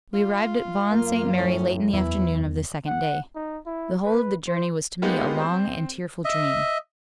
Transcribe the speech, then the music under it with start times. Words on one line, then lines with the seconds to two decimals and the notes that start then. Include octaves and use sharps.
We arrived at Vaughan St. Mary late in the afternoon of the second day. The whole of the journey was to me a long and tearful dream.
0.14 F4
0.92 F#2 A#3
1.38 A2 C#4
1.93 E2 E3 E4
2.87 F#5
3.35 D#4
3.66 E4
4.05 B4
4.47 C5
5.02 G#3 A#3 B3 D#4 F4 G4
5.41 C4 C5
6.25 D#5 E5